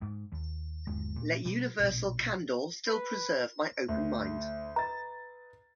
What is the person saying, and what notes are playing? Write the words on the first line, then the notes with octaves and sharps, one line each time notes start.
Let universal candor still preserve my open mind.
G#2
D#2
G1 D#2 G#3
A#2
B2 G3
A#1 B2
B4
D2
B4 D#5 A#5 A6